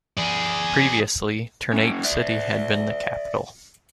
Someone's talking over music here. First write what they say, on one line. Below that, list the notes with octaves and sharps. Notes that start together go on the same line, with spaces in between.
Previously, Ternate City had been the capital.
G#4 D5
A#3 C#4
D5 E5